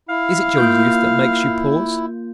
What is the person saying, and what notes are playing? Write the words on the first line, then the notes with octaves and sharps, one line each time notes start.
Is it your youth that makes you pause?
E4 F5
A#3 F4 G6